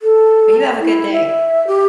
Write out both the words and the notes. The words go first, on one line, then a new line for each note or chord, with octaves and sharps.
Well, you have a good day.
A4
E4
E5
G4